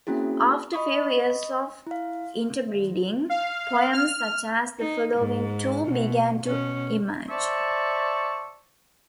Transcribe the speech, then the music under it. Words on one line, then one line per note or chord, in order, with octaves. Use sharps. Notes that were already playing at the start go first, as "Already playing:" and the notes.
After few years of interbreeding, poems such as the following two began to emerge.
A#3 C4 C#4 E4 F#4 G#4
D#5 B5 C#6 D#6
E4 F5
F5
F6
D#4
G#2
B2
B2 C#4
C5 D5 E5 A5 C#6